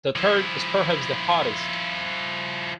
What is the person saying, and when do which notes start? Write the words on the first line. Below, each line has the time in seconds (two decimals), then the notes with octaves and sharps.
The third is perhaps the hardest.
0.16 F3 E4